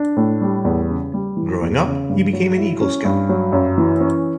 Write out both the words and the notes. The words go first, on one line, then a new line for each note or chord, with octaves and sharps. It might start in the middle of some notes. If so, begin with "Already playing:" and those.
Growing up, he became an Eagle Scout.
Already playing: D4
A2
G3
E2
C#3
G3
E3
E2
C#3
G2
F#3
E4
C#4
G2
F#3
F#2
E3
C#4